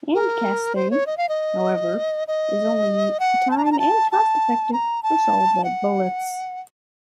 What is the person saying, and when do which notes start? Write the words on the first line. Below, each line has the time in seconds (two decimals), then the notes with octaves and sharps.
Hand-casting, however, is only time- and cost-effective for solid lead bullets.
0.15 A#4
0.75 C5
0.91 C#5
1.06 D#5
1.17 F5
1.29 D#5
2.28 D#5
3.20 F#5
3.51 A5
3.58 A#5
3.65 A5
3.72 A#5
3.79 A5
4.12 A5
4.73 A#5
5.03 A5
5.64 F#5